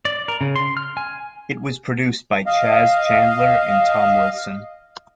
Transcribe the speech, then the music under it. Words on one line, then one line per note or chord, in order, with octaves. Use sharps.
It was produced by Chas Chandler and Tom Wilson.
D5
A#4
C#3
C6
F6
G#5
D#5 F5